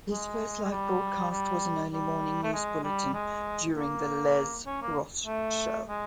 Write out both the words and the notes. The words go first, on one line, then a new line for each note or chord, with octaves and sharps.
His first live broadcast was an early-morning news bulletin during the Les Ross show.
G#3
G#3
G3
G3
G3
A3
G#3
G3
G#3
A#3
C#4
A#3
A3
G#3